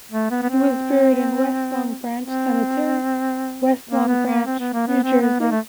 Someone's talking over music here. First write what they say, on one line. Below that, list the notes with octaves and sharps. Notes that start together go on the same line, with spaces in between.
He was buried in West Long Branch Cemetery, West Long Branch, New Jersey.
A3
B3
B3
C4
C4
A#3
B3
A#3
C4
B3
A#3
B3
C4
B3
A#3
A3